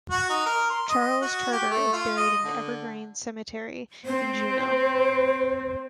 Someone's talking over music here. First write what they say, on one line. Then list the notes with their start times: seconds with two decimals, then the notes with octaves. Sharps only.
Charles Charter is buried in Evergreen Cemetery, in Juneau.
0.11 F#4
0.29 D#4
0.46 A#4
0.70 C6
0.89 D#5
1.22 F#4
1.52 G4
1.71 A3
1.93 F4
2.17 D#5
2.44 D3
4.06 C4 C5